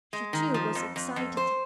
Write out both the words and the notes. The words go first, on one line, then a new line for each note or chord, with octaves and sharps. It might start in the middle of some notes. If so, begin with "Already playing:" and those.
She, too, was excited.
G#3
D#3
F3
F2
F2
F2
C5